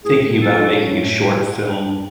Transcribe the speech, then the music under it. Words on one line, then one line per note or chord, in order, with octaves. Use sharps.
thinking about making a short film
A2 G#4
A3
A4
F3
C#4
A2